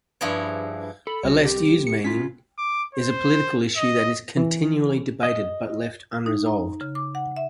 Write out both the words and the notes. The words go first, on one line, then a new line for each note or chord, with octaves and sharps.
A less-used meaning, is a political issue that is continually debated but left unresolved.
G2 F3 E4 G#4 C#5
A4 B5
C2 F#4 C#5
G4
C#7
C#4 F4 B6
D6
C5
D#5
E3
D#5
D#4
A#5
C#3
D6
F#5
E5